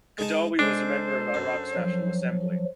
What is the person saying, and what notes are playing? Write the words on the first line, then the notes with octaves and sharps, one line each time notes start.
Khadawi was a member of Iraq's National Assembly.
G#3 D#4 A5
G#3 D4 A4 C5
F#2
F3 F#3